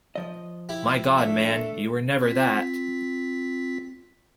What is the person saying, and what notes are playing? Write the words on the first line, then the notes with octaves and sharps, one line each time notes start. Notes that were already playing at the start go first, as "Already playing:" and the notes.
My God, man, you were never that.
F3 D#5
E4 G4
A3 D4 A4 E5
C4 F4 B6